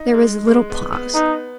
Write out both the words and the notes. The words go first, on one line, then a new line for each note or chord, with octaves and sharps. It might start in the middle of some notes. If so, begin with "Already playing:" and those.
There was a little pause.
Already playing: D#4
G#3
G#3
B3
B3
B3 D#4